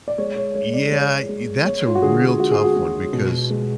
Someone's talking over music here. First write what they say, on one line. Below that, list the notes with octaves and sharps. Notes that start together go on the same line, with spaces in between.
Yeah. E that's a real tough one because e
D5
G#3 C#5
C#5
G#3 C#5
D5
G#3 C#5
G#3
G#3 C#5
F4
F#4
D3 G#4
G#3 F#4
G#4
F#4
G#3
B2
G#3